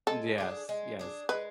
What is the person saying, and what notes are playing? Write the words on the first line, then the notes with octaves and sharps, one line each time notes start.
Yes, yes.
G#3 A4
D4 G#4
G#3
D4 G#4
G#3 B4